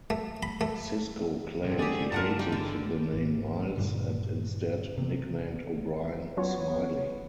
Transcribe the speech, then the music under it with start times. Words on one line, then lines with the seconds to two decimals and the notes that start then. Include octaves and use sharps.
Sisko claimed he hated the name Miles, and instead nicknamed O'Brien "Smiley".
0.10 A3
0.43 B5
0.61 A3
1.64 B1 G2 D3 C4
1.79 G4 G#4 D5
2.12 G2 F4 A#4 F#5 A5
2.39 G3 G#3
2.52 D3
3.13 G#1
3.78 G2 A#2 D3
4.98 C3
6.37 F#3 B3 C#4 F4 C#5